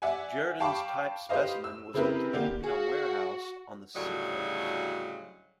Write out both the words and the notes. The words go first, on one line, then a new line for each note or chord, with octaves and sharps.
Jerdon's type specimen was obtained in a warehouse on the seacoast.
D5 E5 F#5 G#5
F5 G5 A5 B5 C#6 D6
G4 B4 C5 D#5 F5
E6
C#3 C4 E4 G4 A#4 B4
D3 A#3 G4
F#4 G#4 F5
D2 A2 C#3 F#3 G3 D#5